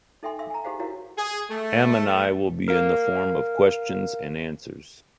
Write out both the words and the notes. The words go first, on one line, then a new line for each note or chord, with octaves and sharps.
Ammanai will be in the form of questions and answers.
D#4 A4 E5 G5 G#5 C6
E5 F5 C6 E6
G#5 A#5
D#4 G4 G#4 C5 F5 F#5
E4 F#4 A#4 C#5 F5 F#5
G#4
A3
A#4 F5